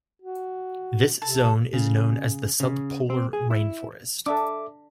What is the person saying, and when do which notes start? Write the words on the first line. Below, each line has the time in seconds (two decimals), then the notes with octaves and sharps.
This zone is known as the"sub-polar rainforest".
0.22 F#4
1.22 C3 A4
1.73 C#3
2.60 C#3
3.10 C4
3.33 G#4
3.50 E4
4.26 D4 A4 E5 D6